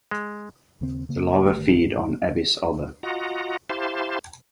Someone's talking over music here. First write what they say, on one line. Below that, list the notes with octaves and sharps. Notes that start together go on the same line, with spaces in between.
The larvae feed on "Abies alba".
G#3
D#2 C#3 C4
C#3 A#3
G1 D3 D#3 A3
G2
F4 F#4 D#5 F#5 A#5
E4 G4 C5 F5 A5 C6